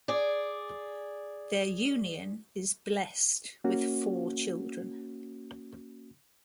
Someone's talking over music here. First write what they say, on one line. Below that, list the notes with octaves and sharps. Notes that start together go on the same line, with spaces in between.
Their union is blessed with four children.
G#4 D5
A#3 C#4 F#4